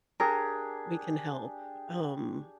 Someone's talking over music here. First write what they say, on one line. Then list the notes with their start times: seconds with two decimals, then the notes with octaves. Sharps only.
we can help, um
0.20 D4 G4 G#4 A#4